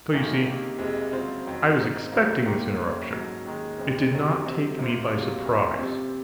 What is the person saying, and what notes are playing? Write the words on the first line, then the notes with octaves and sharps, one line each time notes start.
So you see I was expecting this interruption; it did not take me by surprise.
F#2 D#3 A#3 C#4 G#4
C3 D#3 A#3
F#1 F2 C3 F3 G#3
C#3 F#3 C4 F4 C5
F2 D#3 F#3
G#2 F3 C4 D#4
D#2 C#3 F#3 A#3 F4
D#2 D#3 A#3 F4 A#4
F#2 C#3 F#3 A#3 C#4
A#1 G#2 F#3 C#4
D#2 D#3 G#3
F1 D#2 C#3 G#3 C4
F2 C3 D#3 F#3 C4
C#2 C3 F#3 C4
F#2 F3 A#3 F4 C5
C#2 C3 F#3 A#3 F4
F#1 F2 C#3
C3 F3 C4